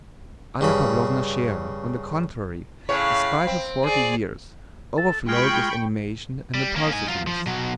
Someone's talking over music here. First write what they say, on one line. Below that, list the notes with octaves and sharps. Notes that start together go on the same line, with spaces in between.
Anna Pavlovna Scherer on the contrary, despite her forty years, overflowed with animation and impulsiveness.
G2 C#3 B5
A2 C#3 C#5 F5 B5
C4
G#4 D5
A4
G#3 F4 G5 B5 C#6
G3
A#3 C#4
D#4 G#5
F#3 F4
F3
B2 F#3